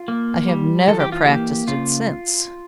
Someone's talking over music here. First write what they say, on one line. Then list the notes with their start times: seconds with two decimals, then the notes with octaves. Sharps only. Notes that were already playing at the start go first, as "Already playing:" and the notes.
I have never practised it since.
Already playing: F4
0.08 A#3
0.48 G3
0.87 E3 A4
1.00 G4
1.12 F4
1.25 A#3 G4
1.68 C#3 F4